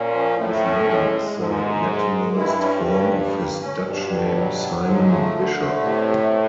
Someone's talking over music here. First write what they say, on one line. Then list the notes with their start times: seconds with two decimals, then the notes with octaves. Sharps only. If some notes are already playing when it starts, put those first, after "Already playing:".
His name is the Latinized form of his Dutch name Simon Bisschop.
Already playing: A#2 C#4
0.13 F3
0.38 A2 A3
0.63 C#4
0.88 G#3
1.12 G#3
1.38 G#2 F3
1.62 C3
1.87 G#3
2.11 G#3
2.36 G2 E4
2.61 C#4
2.87 C#4
3.11 G3
3.36 A#3
3.61 C#4
3.86 G2 B2
4.10 B2
4.34 F#3
4.59 F#3
4.84 G#2 F3
5.09 A3
5.34 D3
5.59 A3
5.83 A2 C3
6.08 A3
6.33 A3